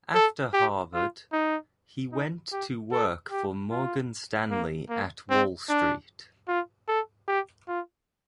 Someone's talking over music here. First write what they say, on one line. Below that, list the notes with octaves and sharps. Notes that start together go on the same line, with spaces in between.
After Harvard, he went to work for Morgan Stanley at Wall Street.
A4
G4
F4
D#4
D#4
G4
A4
G4
F4
A#3
A#3
C4
D4
F4
A4
G4
F4